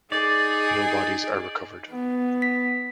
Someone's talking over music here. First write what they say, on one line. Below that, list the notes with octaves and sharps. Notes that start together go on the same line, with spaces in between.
No bodies are recovered.
D#4 G#4 D5
B3
B6